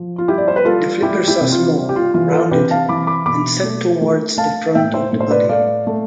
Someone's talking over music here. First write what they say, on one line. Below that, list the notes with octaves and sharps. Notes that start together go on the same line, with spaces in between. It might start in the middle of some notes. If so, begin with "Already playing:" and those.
The flippers are small, rounded and set towards the front of the body.
Already playing: F3
F4
G3 E4 G4
D5
C5
B4
G3 F4 A4
G3 E4 G4
E4 G4
C3
F4
G3
G4
F4
E3 F4
B4
F4 A4
C3 G4 B4
F5 A5
E3 B5 D6
B5 D6
B2 B5 D6
A3
A3
A3 F5 A5
A2 E5 G5
C5 E5
A2
C5
B4 D5
A3 D5 F5
A3